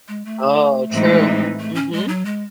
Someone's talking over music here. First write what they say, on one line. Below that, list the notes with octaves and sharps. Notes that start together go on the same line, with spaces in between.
Oh, true. Mhm.
G#3
A3
A2 E3 G#3 C4 D#4
A3
C#4
G#3
F#3
G#3